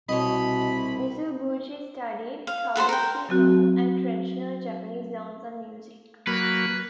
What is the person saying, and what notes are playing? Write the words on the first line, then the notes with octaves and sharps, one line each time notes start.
Mizoguchi studied "kabuki", "noh", and traditional Japanese dance and music.
C2 B2 C#5 D#5 B5
F5
F#4 A4 A#4 C5
A#4 G5
F#3 C4 F#4
F#3 A#3 B4